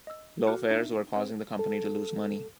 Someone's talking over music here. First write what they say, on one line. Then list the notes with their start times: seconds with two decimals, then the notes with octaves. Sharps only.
Low fares were causing the company to lose money.
0.07 D#5 E6
0.47 F#4 A4 D6 F6 F#6 C#7
0.70 B3 D4 D#4 E5 C#7
1.16 C4 G#4 B4 C5
1.59 A4